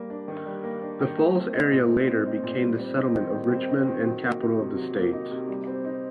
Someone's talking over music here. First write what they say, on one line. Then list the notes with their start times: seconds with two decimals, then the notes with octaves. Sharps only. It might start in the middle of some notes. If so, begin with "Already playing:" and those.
The falls area later became the settlement of Richmond and capital of the state.
Already playing: G3 A#3
0.10 D4
0.28 D#3
0.46 G3
0.64 A#3
0.82 D4
1.00 D#3
1.18 A3
1.36 C4
1.53 D#4
1.72 A#2
1.90 A3
2.08 C4
2.26 D#4
2.44 A#2
2.62 G3
2.80 C4
2.97 D#4
3.15 D#3
3.33 G3
3.51 C4
3.69 D#4
3.87 D#3
4.05 F#3
4.24 A#3
4.41 D#4
4.59 C3
4.77 F#3
4.95 A#3
5.13 D#4
5.31 C3
5.49 G3
5.67 C4
5.85 D#4